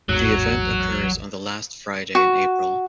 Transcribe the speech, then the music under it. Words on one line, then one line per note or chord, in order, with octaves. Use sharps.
The event occurs on the last Friday in April.
A1 E2 G#2 F#3
F#4